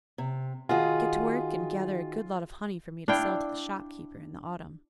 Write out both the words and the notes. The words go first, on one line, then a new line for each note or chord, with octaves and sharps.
Get to work, and gather a good lot of honey for me to sell to the shopkeeper in the autumn.
C3
D#3 F4 F#4 G#4
D4 E4 F5 G5